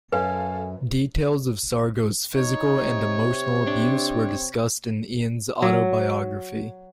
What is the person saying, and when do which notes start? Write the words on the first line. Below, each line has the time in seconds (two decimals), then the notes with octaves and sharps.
Details of Sargo's physical and emotional abuse were discussed in Ian's autobiography.
0.12 F#2 A4 B4 F5 G#5
2.36 D#4 C#5
2.80 C3
3.67 C4 D4
5.62 F#3